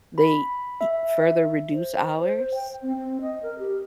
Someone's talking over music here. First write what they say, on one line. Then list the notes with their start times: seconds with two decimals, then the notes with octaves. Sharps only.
they e further reduce hours?
0.18 B5
0.81 E5
1.72 C5
2.20 C5
2.37 C5
2.54 G5
2.82 C4
2.97 C4
3.21 D#5
3.43 A#4
3.59 G4